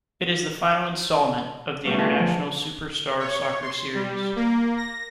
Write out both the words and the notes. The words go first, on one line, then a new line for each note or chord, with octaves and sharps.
It is the final installment of the "International Superstar Soccer" series.
G2 B2 A3 G4
F4 G#4 A5
F3
C#5
C6
G3
A#3
A#6